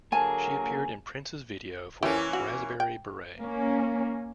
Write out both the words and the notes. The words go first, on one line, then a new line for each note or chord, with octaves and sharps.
She appeared in Prince's video for "Raspberry Beret".
D3 F#3 A#3 G#4 G#5 A5
E3 A#3 C#4 E4 G4
F#4
G5
A#3 C#4